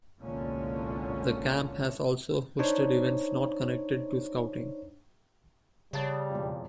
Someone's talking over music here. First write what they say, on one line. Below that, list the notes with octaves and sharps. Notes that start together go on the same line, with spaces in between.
The camp has also hosted events not connected to Scouting.
G1 C2 A#2 D3 G#3 C#4
D4 D#4 C5 C#5
C#3 G3 C#5 A5 A6
E1 F2